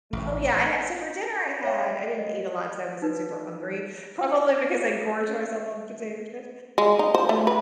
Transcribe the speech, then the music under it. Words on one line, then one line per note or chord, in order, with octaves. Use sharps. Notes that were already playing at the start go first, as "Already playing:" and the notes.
Oh, yeah, I had so, for dinner, I had I didn't eat a lot 'cause I wasn't super hungry, probably because I gorge myself on potato chips.
A1
C#5 E5 F5 G5
D#5
D#4 B4
G#3
D#4
C5
A3
B4